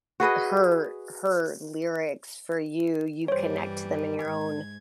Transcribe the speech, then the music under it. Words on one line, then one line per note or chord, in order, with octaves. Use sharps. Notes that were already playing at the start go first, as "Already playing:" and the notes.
her her lyrics for you, you connect to them in your own
F#4 G#4 B4 D#5
G2 E3 G3 C5 C#5
G#2 G#6